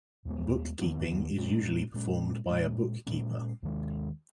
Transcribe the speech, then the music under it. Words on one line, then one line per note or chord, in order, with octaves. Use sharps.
Bookkeeping is usually performed by a bookkeeper.
D#2 D#3 G#3 B3
D#2 D#3 G#3 B3
A#2 G#3 C#4
A#2 G#3 C#4
A#2 G#3 C#4
A#2 G#3 C#4
D#2 D#3 G#3